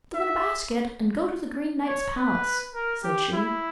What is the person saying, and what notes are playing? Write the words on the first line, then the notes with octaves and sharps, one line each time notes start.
'Put them in a basket and go to the Green Knight's palace,' said she.
E5
C#5
B4
A#4
G4
E4